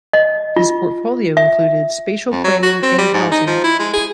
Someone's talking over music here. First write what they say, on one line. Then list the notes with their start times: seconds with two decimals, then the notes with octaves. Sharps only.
His portfolio included spatial planning and housing.
0.13 D#5
0.56 F4
1.37 E5
2.31 F2
2.44 F#3
2.63 F#4
2.82 C4
2.98 G3
3.14 G#2
3.32 D#4
3.47 F3
3.64 E4
3.79 G#3
3.93 G#4